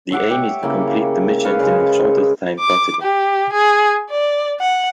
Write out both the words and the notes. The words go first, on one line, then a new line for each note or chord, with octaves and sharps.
The aim is to complete the missions in the shortest time possible.
C#5 E5 F#5 D6
G4
C#3 A#3 E4
B4 C#5 F5
C#3 G#3
D6
G4
G#4
D5
F#5